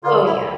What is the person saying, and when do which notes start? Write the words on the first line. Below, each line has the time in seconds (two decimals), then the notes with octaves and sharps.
Oh, yeah.
0.04 D3 F4
0.25 E4